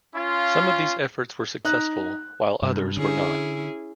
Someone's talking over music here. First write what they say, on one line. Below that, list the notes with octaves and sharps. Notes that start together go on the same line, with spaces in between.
Some of these efforts were successful, while others were not.
C#4 F4
D#4 F#6
G2 C3
D3 C#4 E4 G#4